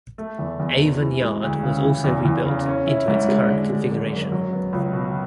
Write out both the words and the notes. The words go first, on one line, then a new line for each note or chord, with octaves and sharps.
Avon Yard was also rebuilt into its current configuration.
A3
E2
E2
B2
E3
G#3
D2
C#3
E3
E2
E2
C#3
C#4
E4
G#2
G#3
D3
G#3
G#1
F#2
F#3
B3
C#2
B2